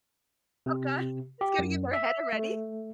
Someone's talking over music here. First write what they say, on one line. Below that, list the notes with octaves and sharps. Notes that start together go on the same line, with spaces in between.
Oh god. It's getting in my head already.
C3
G4
F#2
E5
A3